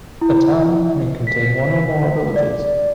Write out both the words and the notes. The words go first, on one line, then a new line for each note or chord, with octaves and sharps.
A town may contain one or more villages.
E4
B6
D5